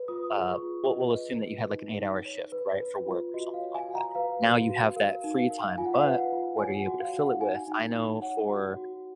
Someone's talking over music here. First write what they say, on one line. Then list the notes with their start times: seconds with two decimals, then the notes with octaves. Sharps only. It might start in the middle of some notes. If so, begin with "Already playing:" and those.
uh we'll we'll assume that you had, like, an eight-hour shift, right? For work or something like that, now you have that free time, but what are you able to fill it with? I know for,
Already playing: B4
0.08 F4 D#6
0.36 G#4
0.49 C#6
0.63 F4
0.89 B4 D#5
1.17 B4
1.44 B4
1.71 D#4
1.98 D#4
2.25 C#5
2.52 B4
2.79 B4
3.07 F4
3.34 F#4 D#5
3.54 F5
3.61 C#5
3.75 G#5
3.88 F#4
3.95 A#5
4.15 B4 F5
4.42 F#4
4.69 F#4
4.96 A#4 F5
5.24 D#4
5.37 F5
5.51 A#4
5.78 F4 G#5
5.85 F#5
5.93 F5
6.01 B4 F#5
6.32 F4
6.59 C#5 G#5
6.80 F#5
6.86 F#4
7.00 F5
7.13 F#4
7.20 F#5
7.41 D#4 G#5
7.67 D#4
7.94 D#4
8.22 C#5 F#5
8.49 F#4
8.76 F#4